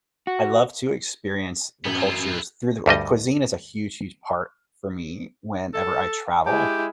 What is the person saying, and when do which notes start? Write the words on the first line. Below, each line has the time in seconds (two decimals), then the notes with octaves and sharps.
I love to experience the cultures through their like, cuisine is a huge, huge part for me whenever I travel,
0.27 F#4
1.85 A1 F#2 B3
2.00 E4 F4
2.86 D2 G2 G3 D#5
5.74 A4
6.46 G#3 E4 G4